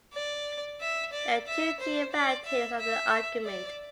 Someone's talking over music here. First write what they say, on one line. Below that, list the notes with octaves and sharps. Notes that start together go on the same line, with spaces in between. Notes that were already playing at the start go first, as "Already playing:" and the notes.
There are two key varieties of the argument.
D5
E5
D5
E5
C5
D5
E5
E5
D5